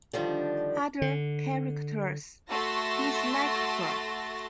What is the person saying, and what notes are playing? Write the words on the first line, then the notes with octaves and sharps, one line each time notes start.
Other characters dislike her.
D3 D#3 F3 G3 D4
D3
A3 F#4 A5 C6 A6 A#6